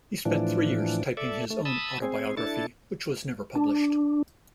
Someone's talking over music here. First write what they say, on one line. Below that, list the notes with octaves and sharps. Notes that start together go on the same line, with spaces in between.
He spent three years typing his own autobiography, which was never published.
A2 E3 F3 D4
A4 D5 E5
A3
A5 B5 D#6 E6
C4 G#4
D4 E4 A4 A6
D4